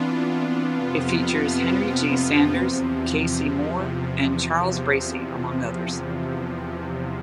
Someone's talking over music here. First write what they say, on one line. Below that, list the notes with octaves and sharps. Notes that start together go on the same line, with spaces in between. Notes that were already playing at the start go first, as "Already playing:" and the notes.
It features Henry G. Sanders, Kaycee Moore, and Charles Bracy, among others.
Already playing: E3 B3 C4 D4 F4
F2 C3 F3 B3 F4
C4
C4
D4
E2 C3 F3 C4